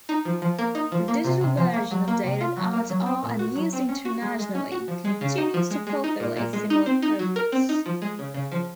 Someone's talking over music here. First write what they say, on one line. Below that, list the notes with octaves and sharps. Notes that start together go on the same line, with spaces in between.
The digital version, updated hour-to-hour, and used internationally, continues to fulfil a similar purpose.
D#4
F3
F3
A#3
D#4
F3
A#3
C3
C3
F3
A#3
F#3
A#3
C3
F4
F#3
A#3
F#3
C4
A#2
F#4
F#3
C4
C#4
F#4
G#3
G#3
C#4
F#4
F3
G#3
C#3
D#4
F3
G#3
G#3
D#4
A#2
A#2
G#3
D#4
C4
D#4
F#3
A#4
C4
D#4
F3
G#3
C#3
C#3
F3